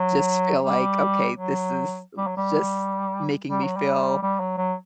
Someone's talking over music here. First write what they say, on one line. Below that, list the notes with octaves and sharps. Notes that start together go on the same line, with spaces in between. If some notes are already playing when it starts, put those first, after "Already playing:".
just feel like, "Okay, this is, eh, just making me feel
Already playing: F#3
G3
F#3
G3
F#3
G3
G3
F#3
G3
G3
F#3
F#3